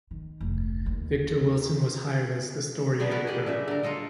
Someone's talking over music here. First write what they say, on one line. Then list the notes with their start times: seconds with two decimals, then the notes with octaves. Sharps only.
Victor Wilson was hired as the Story Editor.
0.11 D#3
0.40 F1 D2
0.86 D#2
3.00 B3 D4 G#4 D5
3.11 F#4 A#4 B4
3.27 G4 D5 D#5
3.46 A#2 C#3 E5
3.68 D3 A#4
3.83 A#3 F4 A4 D#5